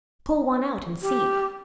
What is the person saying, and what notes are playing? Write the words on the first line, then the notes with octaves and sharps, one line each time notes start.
"Pull one out and see!"
G4